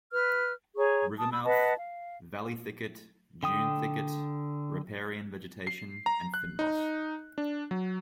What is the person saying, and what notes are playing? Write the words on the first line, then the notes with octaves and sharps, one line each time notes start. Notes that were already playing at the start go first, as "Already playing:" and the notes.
River mouth: Valley thicket, dune thicket, riparian vegetation and fynbos.
B4 F6
G#4 C#5 A#5 C#6
A5 D#6
B5 E6
B4 D#5 F#5 A5
F5
D3 G5 D#6
C7
A#5
F#6
D#4
D4
F#3